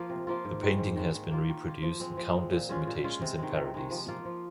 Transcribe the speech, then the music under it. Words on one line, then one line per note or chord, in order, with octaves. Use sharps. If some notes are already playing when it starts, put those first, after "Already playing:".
The painting has been reproduced in countless imitations and parodies.
Already playing: F3 A#3 F4
C3
F3 A#3 F4
G#2
D#3 G#3
G#2
D#3 G#3
D#3
A#3 F4
D#3
A#3 F4
F3
G#3 C4
F3
G#3 C4
A#2
G#3 C#4 F4
A#2
G#3 C#4 F4
C3
D#3 G#3
C3
D#3 G#3
F3
A#3 F4
F3